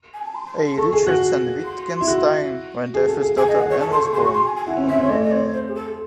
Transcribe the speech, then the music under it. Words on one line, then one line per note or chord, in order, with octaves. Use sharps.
A. Richards and Wittgenstein, when their first daughter, Anne was born.
G#5
A5
C6
C6
A5
C6
A4 C#6
G#4
F#4
C6
E4
F#4
G#4
A4
G#4
G#4 G#5
D#5
G#4
F#5
G#4 C#5
A5
A4 C6
C#6
G#4 C6
F#4
C#6
G#4
C6
G#5
G#5
E4 F#5
C#4
C4
C#4 E5
C4 C#5
A3 D#5
D#5
C4 C#5
C5
G#4
A4